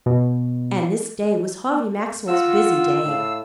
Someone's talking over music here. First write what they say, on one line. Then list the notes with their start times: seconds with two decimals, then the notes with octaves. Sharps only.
And this day was Harvey Maxwell's busy day.
0.06 B2
2.28 F4 F#5 E6
3.05 A2 F5